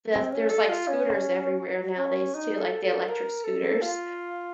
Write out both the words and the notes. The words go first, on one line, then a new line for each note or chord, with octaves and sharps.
The there's, like, scooters everywhere nowadays too, like, the electric scooters.
C4
C#4
A4
F4
C#4
C#4
D#4
A4
A4
A#4
A4
F4